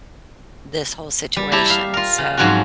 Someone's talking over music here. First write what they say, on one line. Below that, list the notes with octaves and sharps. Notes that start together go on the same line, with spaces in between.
this whole situation, so
G3
E4 G4 A5 A#5
E5 F5
F4 A#4
C#3
G#2 F3 F#3 C4 C#4 F#4